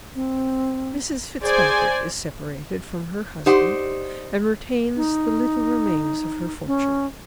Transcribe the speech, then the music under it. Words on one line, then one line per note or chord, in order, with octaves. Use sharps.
Mrs Fitzpatrick is separated from her husband, and retains the little remains of her fortune.
C4
G#4 C5 D5 G#5
D#4 G4 C5 D5 F#5
D#4
C#4